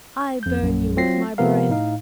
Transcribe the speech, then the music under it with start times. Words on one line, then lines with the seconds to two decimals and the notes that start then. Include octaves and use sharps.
I burn you with my breath!
0.43 F2 G6
0.61 A#1 F#2
0.97 F#3 C4 F4 A#6 C7
1.38 C3 F3 B3 A#4 F5
1.70 A2 D#4 F5